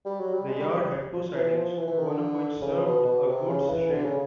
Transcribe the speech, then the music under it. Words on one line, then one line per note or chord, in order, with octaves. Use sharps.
The yard had two sidings, one of which served a goods shed.
G3
F#3
G3
G#3
G3
G3
G3
F3
E3
F3
E3
E3
D#3
D3
C#3
B2
B2
C3
C#3
E3
D3
C#3